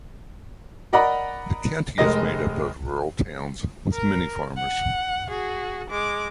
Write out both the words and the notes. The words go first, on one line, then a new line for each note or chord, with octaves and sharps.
The county is made up of rural towns with many farmers.
A#4 D5 D#5 F#5 A#5 B5
F1 G#3 A#4 D#5 A#6
A#4
F#5
F#4 G#4
G#3 D6